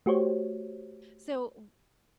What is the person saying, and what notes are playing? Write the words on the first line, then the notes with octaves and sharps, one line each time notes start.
So, w
A3 F#4 G4 C5 C#5